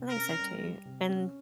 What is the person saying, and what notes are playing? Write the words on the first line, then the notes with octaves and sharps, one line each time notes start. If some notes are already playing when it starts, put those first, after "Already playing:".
I think so too, and,
Already playing: C3
A#4
C#4
G3
G4
C3
C#4